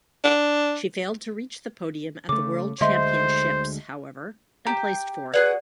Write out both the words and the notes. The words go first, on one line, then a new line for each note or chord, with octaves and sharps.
She failed to reach the podium at the world championships however, and placed fourth.
D4
C#3 A3 D6
D2 D3 G#3 C5 D#5 E5 C6
G4 A#5
F#4 G#4 B4 D5 F#5